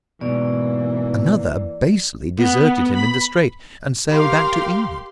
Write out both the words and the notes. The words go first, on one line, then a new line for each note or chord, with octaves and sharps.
Another basely deserted him in the Strait and sailed back to England.
G#2 B2 E3 A#3 D5
B3
B5
G4 A#4 F5 C6